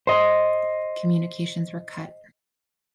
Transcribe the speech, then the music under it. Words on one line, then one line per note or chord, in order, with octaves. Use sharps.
Communications were cut.
C5 D#5